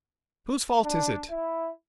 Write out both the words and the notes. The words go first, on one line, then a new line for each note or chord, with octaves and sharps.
Whose fault is it?
D4
E4